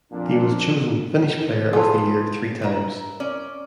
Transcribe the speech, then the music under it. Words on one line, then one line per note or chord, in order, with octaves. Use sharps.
He was chosen Finnish Player of the Year three times.
F2 A#2 D4
B3 F4 G#4 A4
E4 A#4
C#4 D5